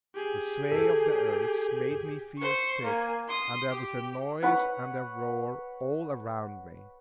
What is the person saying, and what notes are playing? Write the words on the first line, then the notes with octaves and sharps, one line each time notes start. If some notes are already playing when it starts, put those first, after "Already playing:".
The sway of the earth made me feel sick; and there was a noise and a roar all around me.
G4 G#4
A4
C5 C#6
A#3 G#5
C6 D#6
G4
B4 C#5 F#5